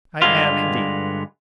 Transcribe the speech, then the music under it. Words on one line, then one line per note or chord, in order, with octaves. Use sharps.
I am, indeed.
G2 D3 G#3 B3 F4